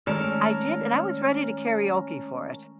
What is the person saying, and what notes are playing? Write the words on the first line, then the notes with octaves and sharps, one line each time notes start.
I did, and I was ready to karaoke for it.
D#3 G#3 A3 C#4 A4 A#4 D5